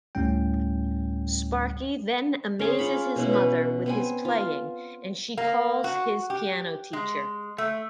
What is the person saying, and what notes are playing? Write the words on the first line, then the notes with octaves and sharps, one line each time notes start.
Sparky then amazes his mother with his playing, and she calls his piano teacher.
D2 A2 G3 C#4 G5
C#4 G#4 C5
F4 C#5 B5
B2 C#4 E4
B4
B3 C4 G#5
F4
A#3
F#4
G4
G#3
A3